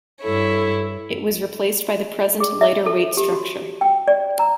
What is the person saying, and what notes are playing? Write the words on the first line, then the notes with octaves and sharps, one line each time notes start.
It was replaced by the present lighter-weight structure.
G2 E4 A4 C#5
G#4
E5
A4
G4
F#4
G5
D5
A#5